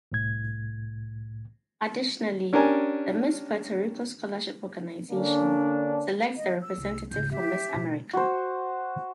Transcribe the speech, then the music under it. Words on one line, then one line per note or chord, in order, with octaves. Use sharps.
Additionally, the Miss Puerto Rico Scholarship Organization selects the representative for Miss America.
C2 A2 G#6
C#4 D4 G4 A#4 G#5
D3 A#3 C#4 D4
D#5
E6
C2
G#1 C#2 G6
C4 G4 E5
B2
F#4 C5